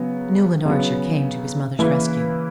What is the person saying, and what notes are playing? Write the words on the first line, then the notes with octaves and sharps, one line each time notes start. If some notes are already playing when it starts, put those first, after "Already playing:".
Newland Archer came to his mother's rescue.
Already playing: C#3 F#3 B3
C#3 F#3 B3
C#3 E3 A#3 E4 B4